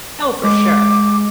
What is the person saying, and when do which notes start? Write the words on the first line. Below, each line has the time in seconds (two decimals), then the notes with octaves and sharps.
Oh, for sure.
0.44 G#3 D6